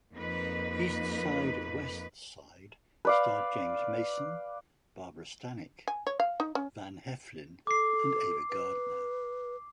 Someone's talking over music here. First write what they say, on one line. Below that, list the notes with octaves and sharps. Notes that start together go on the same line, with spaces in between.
"East Side, West Side" starred James Mason, Barbara Stanwyck, Van Heflin, and Ava Gardner.
F2 A#3 D#4 B4
B4 D5 F5
G#5
C#5
F5
D#4
C#4
A4 D6 C7
B4